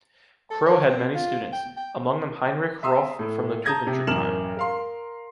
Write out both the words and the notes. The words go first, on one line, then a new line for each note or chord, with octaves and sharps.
Kroh had many students, among them Heinrich Roth from the Tübinger time.
A4
C#5
C4
F4
G5
G5
E5 A#5 C6 D#6 E6
A2
A5 A#5 D#6 G6 G#6 A#6
C3
A1 F#2 A#4 F6 E7 F#7
A#4 F5 C6